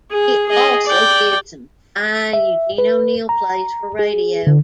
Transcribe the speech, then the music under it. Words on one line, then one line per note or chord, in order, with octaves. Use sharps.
He also did some fine Eugene O'Neill plays for radio.
G#4
G#4 D#5
D5 G5
E5
B4
A#5
G#4
D3